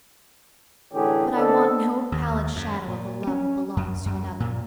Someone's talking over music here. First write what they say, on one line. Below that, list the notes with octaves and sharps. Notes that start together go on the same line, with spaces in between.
But I want no pallid shadow of the love that belongs to another.
A1 D3 C#4 G4 G#4
D3 C4 D4 D#4 A4
D#2
F#2
A#2
C#4
F#2
F#2
A#2